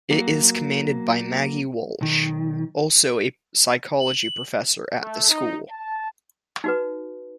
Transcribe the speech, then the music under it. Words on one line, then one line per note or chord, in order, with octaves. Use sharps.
It is commanded by Maggie Walsh, also a psychology professor at the school.
F#3 A#3
B1 D#3
F#7
A3
D#4
A5
D#4 F#4 B4